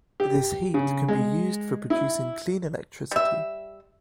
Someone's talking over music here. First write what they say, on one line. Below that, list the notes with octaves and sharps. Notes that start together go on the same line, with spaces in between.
This heat can be used for producing clean electricity.
G4
C#3
G#3
E4
G3 E5